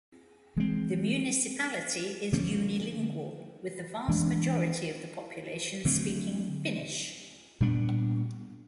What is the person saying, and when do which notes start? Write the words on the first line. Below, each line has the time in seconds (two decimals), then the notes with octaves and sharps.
The municipality is unilingual with the vast majority of the population speaking Finnish.
0.56 E3 G#3 C4
2.32 D3 F3 A#3 C#4
4.08 E3 G#3 B3 D4
5.85 D3 F#3 A3 C4
7.60 A#2 G3 B3 D4